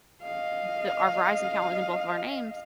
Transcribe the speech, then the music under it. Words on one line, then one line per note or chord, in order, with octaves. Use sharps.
like, th our Verizon account was in both of our names
D#5 F5